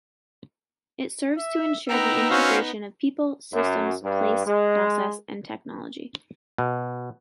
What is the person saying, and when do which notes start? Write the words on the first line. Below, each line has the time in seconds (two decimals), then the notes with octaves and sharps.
It serves to ensure the integration of people, systems, place, process, and technology.
1.38 E5
1.89 B3 D#4 G5 A#5 E6
2.30 C#4 F#4 C5 F5
3.52 F#2
4.02 G2
4.45 G#3
6.58 B2